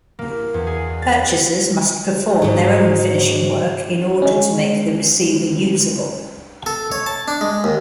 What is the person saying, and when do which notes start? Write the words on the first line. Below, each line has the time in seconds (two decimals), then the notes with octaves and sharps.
Purchasers must perform their own finishing work in order to make the receiver usable.
0.19 A#3
0.54 E2
0.67 G#4
1.02 A6
2.42 G#2 F#3
4.22 G#3 C#4
6.66 A4
6.92 C#5
7.06 A5
7.28 D4
7.41 G#3
7.64 D#2